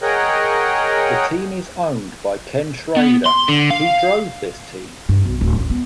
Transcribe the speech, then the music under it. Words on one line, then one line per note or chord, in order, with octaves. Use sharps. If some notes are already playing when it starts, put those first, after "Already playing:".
The team is owned by Ken Schrader, who drove this team.
G#4 A#4 C#5 D#5 F#5 G5
B3
C6
D3
F5
G2
B1
D1
A1
B3